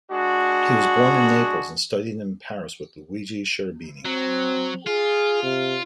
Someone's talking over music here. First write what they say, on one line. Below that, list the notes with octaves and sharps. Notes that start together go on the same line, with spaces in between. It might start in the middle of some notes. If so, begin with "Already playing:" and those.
He was born in Naples and studied in Paris with Luigi Cherubini.
G#3 D4 F#4
F#3 C4
F4 G#4
C3